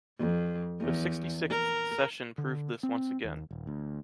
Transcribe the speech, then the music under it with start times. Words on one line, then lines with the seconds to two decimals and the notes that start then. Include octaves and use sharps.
The sixty-sixth session proved this once again.
0.19 F2
0.80 E2
1.50 A#4
2.38 D3
2.83 C4
3.24 D#2
3.51 D#1
3.67 D2